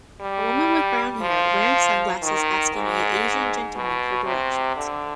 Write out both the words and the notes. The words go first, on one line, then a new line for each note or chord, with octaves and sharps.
A woman with brown hair, wearing sunglasses asking a asian gentleman for directions.
G3
F3
D#3
G#2
B2
C3
D3